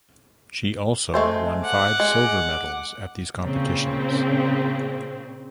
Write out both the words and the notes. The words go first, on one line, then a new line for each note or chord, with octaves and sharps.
She also won five silver medals at these competitions.
G#3 A3 C5
F#5 D6
G#3
A#2 C#3 C4